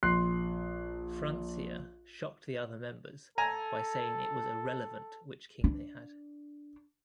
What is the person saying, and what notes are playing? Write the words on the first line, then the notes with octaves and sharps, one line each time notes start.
Francia shocked the other members by saying it was irrelevant which king they had.
A#1 C6 F#6 C7
A4 G#5 A#5
D4